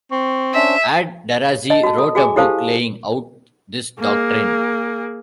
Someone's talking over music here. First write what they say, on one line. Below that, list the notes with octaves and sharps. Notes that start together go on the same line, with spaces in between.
Ad-Darazi wrote a book laying out this doctrine.
C4 C#6
C#4 D4 C5 E5
D#5 A5
F#4 A5
A4
F#4 G#4 G#5 D6
E4 G4 A4 C5 F5 A5
A#3 G#4